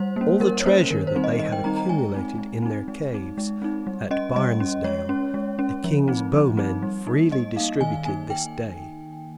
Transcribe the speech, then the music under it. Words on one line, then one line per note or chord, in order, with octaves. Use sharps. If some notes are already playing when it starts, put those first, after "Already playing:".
All the treasure that they had accumulated in their caves at Barnesdale the King's bowmen freely distributed this day.
Already playing: G3 C5
A#3 C#4
G3 A#4
C#5
A#3 C#4 C5
D#3 A#4
C5
G3 C4 D#4
D#5
D#3 D#5
G5
G3 C4 D#4 A#5
A#5
G#3 G#5
C4 D#4
G#3
C4 D#4
G#3
C4 D#4
G#3
C4 D#4
G3
C#4 D#5
G3 D#5
C#4
G#3 C#5
C#4
G#3
C#4
F3
C4 D#4
F3
C4 D#4
G3
A#3 D#4
G3 D#5
A#3 D#4 F5
D#3 G#5
A#3 D#4 G#5
G5